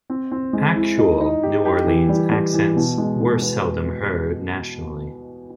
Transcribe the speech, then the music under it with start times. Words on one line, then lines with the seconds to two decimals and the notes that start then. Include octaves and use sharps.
Actual New Orleans accents were seldom heard nationally.
0.10 C4
0.31 C4
0.53 G#3
0.75 E4
0.98 D#4
1.21 D#4
1.43 G4
1.65 G4
1.87 E3
2.09 G3
2.32 G3
2.54 E3
2.76 B2
2.98 G#3
3.20 B2
3.42 B3